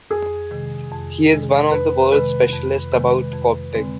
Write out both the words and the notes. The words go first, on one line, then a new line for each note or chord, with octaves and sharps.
He is one of the world specialists about Coptic.
F2 G#4
C3 D#3 G#3
F2
C3 D#3 G#3
F2 B4
C3 D#3 G#3 B4
F2
C3 D#3 G#3
F2
D3 G#3 C4